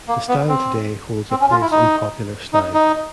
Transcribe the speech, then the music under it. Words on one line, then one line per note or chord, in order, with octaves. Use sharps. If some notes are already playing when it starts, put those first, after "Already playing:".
The style today holds a place in popular slang.
A#3
B3
C4
C4
C#4
F4
E4
D#4
D#4
D#4